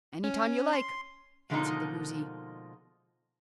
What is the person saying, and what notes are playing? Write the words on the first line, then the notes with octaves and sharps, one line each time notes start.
"Any time you like," answered the Woozy.
C#4
C6
B2 D3 F3 G#3 A#3 D#4